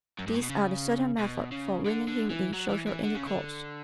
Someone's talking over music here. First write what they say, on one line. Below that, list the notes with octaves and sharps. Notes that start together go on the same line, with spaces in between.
These are the certain methods for winning him in social intercourse.
F#2
G2
A2
B2
C#3
B2
C#3
D3
D3
E3
F#3
E3
E3
D3
C#3
D3